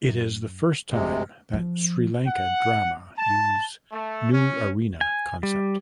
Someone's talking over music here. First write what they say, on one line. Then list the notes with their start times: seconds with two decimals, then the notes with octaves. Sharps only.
It is the first time that Sri Lanka drama use New Arena concept.
0.09 F#2
0.91 G1 D2 C3 G#3
1.53 F3
2.27 F#5
3.17 A5
3.92 A3
4.31 C#4
5.01 G#5
5.43 G3